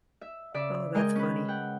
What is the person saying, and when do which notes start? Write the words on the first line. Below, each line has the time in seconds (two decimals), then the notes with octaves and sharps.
Oh, that's funny.
0.21 E5
0.54 C#3 D5 E5 D6
0.95 G#3 A#4 D#5 G5 G#5
1.15 C#4 B4
1.48 F#5 G5